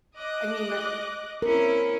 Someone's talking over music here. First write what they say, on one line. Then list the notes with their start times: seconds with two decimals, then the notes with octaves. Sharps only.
I mean, I
0.17 D#5 D6 F#6
1.42 C4 C#4 E4 A#4